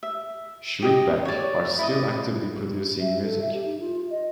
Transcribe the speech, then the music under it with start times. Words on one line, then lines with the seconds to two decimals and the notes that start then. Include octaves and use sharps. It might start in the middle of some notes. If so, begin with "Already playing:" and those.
Shriekback are still actively producing music.
0.03 E5
0.82 G4 D#5
1.25 C#5 D5
1.78 E4 D5 D#5
3.00 E5
3.23 A4
3.42 E5
3.53 G4
3.66 D#4
3.80 F4
4.11 D#5